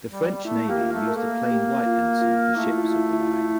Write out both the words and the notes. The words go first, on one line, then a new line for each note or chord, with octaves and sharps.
The French Navy used a plain white ensign for ships of the line.
G3
G3
A3 E4
A#3 G4
F4
A3
A#4
A#3 A4
G4
F4
F4
A3 E4
F4
E4
F4
E4
F4
E4
F4
E4
F4
E4
F4
E4